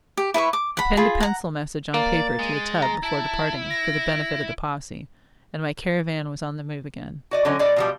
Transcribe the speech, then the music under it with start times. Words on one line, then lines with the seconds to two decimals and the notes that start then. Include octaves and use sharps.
I pinned a penciled message on paper to the tub before departing, for the benefit of the posse, and my caravan was on the move again.
0.17 G4
0.34 E4 B4 E5 C#6
0.53 D6
0.77 F#5 B5
0.97 F4 G#4 B5
1.20 F#5 A#5
1.94 A#3 D5 A6
2.39 G#3
2.82 A#5
3.03 E4 A5
3.70 A#6
7.31 F#4 D5 D#5
7.45 D3 F#3 C#4 D#5
7.59 B2 D5 D#5
7.76 B2 F3 G3